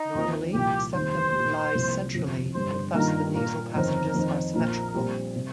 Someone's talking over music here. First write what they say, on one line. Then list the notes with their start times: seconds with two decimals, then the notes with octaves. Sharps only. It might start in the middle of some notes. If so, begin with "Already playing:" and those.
Normally, the septum lies centrally, and thus the nasal passages are symmetrical.
Already playing: D#4
0.15 D#2 D#3 C4 F4
0.54 C2 A#2 F3 A#3 F4 G4
0.94 F1 D#2 D#3 G3 C4 C5
1.34 A#2 A#3 G4
1.75 C2 C3 F3 A#3
2.14 G1 F2 C3 F3
2.55 G1 G2 G3 C5
2.95 G2 D#3 A#3 F4 A#4
3.35 A#2 A#3 F4 A#4
3.75 G1 F2 D#3 C4 D#4 A#4
4.14 F2 D#3 C4 D#4
4.54 A#1 A#2 F3 A#3 A#4
4.94 A#2 G3 C4
5.36 C3 G3